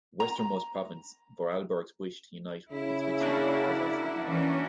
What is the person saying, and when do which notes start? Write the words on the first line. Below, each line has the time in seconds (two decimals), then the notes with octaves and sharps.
The westernmost province Vorarlberg's wish to unite with Switzerland was also ignored.
0.20 A#5
2.72 C#3 E4
3.20 A#3 D4 F#4
4.24 E3 C#4